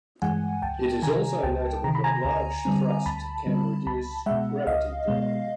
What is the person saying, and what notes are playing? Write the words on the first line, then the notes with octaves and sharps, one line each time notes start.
It is also notable that large thrust can reduce gravity drag.
G2 E3 G#3 F#5 G#5
C#2 G5 A5
C3 D#3 G#5 A#5
C#2 G5 A5
C3 D#3 A#5
B5
G#5 A#5
D2
D3 G3 C4
D2 A5 B5
D3 G3 C4
C#2 A5 B5
B2 G#3 E5 F#5
C#2 D#5 F5
B2 G#3